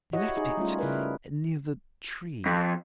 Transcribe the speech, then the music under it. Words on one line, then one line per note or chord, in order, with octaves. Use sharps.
"I left it near the tree."
E4 F#4 G4 C#5 D#5 F#5
D#4 G#4
G3 A3 C#4 F4
C#3 E4 A#4 B4
F2